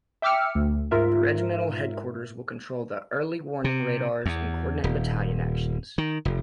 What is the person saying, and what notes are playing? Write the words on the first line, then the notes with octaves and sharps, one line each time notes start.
The regimental headquarters will control the early-warning radars and coordinate battalion actions.
E5 G5 D6 E6 F6 C#7
D2
G#2 F4 A#4 E5
C3
E2
D#1
D#3
F1